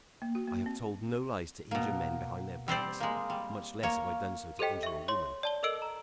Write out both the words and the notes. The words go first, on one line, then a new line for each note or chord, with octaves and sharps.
I have told no lies to injure men behind their backs;--much less have I done so to injure a woman.
A#3
F#4
A#3
C4
B2 A#3
G3 C4 C5 D5
G#3 A#3
G3
A#3 C#5
G4 A4 C5 D#5 G5 B6
E5 C#6
C#5 C6
D5 A5 G7
A4 A#4 D#5 E6 D7 F#7
A#5